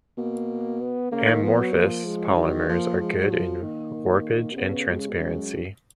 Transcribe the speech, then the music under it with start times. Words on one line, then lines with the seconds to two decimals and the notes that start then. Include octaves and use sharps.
Amorphous polymers are good in warpage and transparency.
0.17 B2 A#3
0.81 B3
1.12 C#3 A#3
1.27 D#3
1.43 F3 B3
1.59 F#3
1.75 F3 A#3
2.05 G#3
2.29 C#3
2.37 D#3 F#3
2.68 F3 A#3
2.96 F#3
3.00 F3 G#3
3.16 F#3
3.31 F3 F#3
3.62 D#3 A#3
4.51 B2
4.56 C#3 B3
4.88 B2 G#3
4.99 C#3
5.09 B2
5.19 F#2 G#3